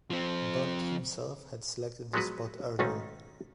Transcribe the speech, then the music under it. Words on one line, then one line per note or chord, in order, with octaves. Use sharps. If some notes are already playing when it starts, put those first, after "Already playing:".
Butt himself had selected the spot earlier.
F3 C4
F3 F#3 G#3 B3 F#4 B4
B1 G#2 D#3 A3 C#4 D#4